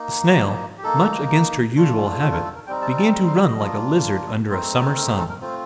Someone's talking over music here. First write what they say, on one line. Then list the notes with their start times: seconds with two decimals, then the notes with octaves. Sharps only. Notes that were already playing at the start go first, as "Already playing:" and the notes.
The Snail, much against her usual habit, began to run like a lizard under a summer sun.
Already playing: A#3 D#4
0.78 G4
0.83 A#3 D#4 A4
1.76 A3 D4 F4
2.21 A4
2.32 A#4
2.44 A4
2.55 A#4
2.67 G3 C4 D#4 G5
2.82 A5
2.97 A5
3.13 A#5
3.27 C6
3.43 D#5
3.58 A#3 D4 F4
4.49 A3 C4 D#4 C5
4.96 A#4
5.06 G4
5.18 A4
5.29 A#4
5.41 A3 C4 F4 C5